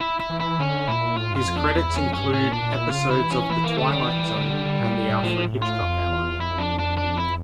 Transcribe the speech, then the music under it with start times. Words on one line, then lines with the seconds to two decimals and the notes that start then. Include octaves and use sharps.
His credits include episodes of "The Twilight Zone" and "The Alfred Hitchcock Hour".
0.01 E4
0.20 E4
0.30 E3
0.40 E4
0.59 D3 C#4
0.88 A#2 E4
1.17 A2 F4
1.31 G2 F4
1.46 F2
1.56 D4
1.61 E2
1.75 E2 E4
1.89 E2
1.95 C#4
2.05 F2
2.13 C#4
2.18 G2
2.33 A2 C#4
2.48 A#2
2.53 D4
2.62 A#2
2.72 A#2 E4
2.91 C#3 F4
3.11 E4
3.20 E3
3.30 C#4
3.50 E3 E4
3.64 A#3
3.78 D3 A3
3.92 G3
4.07 E3
4.37 D3
4.65 D3
4.80 A#2
5.09 A2
5.23 A2 F3
5.53 A2
5.62 F4
5.82 F2
6.11 E2
6.40 F2 E4
6.59 D4
6.79 D4
6.97 D4
7.18 E4